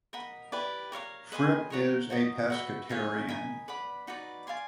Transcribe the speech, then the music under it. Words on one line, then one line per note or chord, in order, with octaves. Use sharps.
Fripp is a pescetarian.
A#4 D#5 F#5 B5
E4 G4 B4 D5
A#4 C#5 F5 A#5
B4 D#5 G#5 C6
A#4 C#5 F#5 A#5
D#4 F#4 A#4 D#5
F#4 B4 E5
D#4 G#4 C#5 F5
A#4 D#5 G#5 B5
B4 D5 F#5 B5
D#4 F#4 B4 D5
D5 F5 G#5 C6